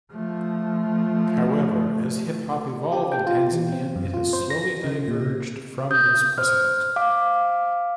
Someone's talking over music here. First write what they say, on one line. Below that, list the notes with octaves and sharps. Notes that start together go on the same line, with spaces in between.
However, as hip-hop evolved in Tanzania, it has slowly diverged from this precedent.
F3 A3
G4
G5
F4
E3
C4
F#2
F4
C5
A#6
C#3
A#2
D#6 G6
C5 F6
F5 D6